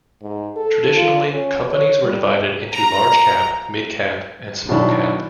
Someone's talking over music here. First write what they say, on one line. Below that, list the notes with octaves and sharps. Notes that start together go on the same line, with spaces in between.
Traditionally, companies were divided into large-cap, mid-cap, and small-cap.
G#2
A4
F4
C#4
C#5
G3
A#5
B2 D#3 F#3 D4 E4